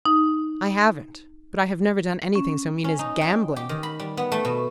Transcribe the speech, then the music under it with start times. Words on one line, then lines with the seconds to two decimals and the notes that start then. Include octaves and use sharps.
I haven't; but I have never done anything so mean as gambling.
0.05 D#4
2.35 C#4
2.84 C#4
2.99 D#4
3.21 G5
3.56 G4
3.69 D#3
3.83 B5
3.99 G3
4.17 B3
4.32 A3
4.45 B2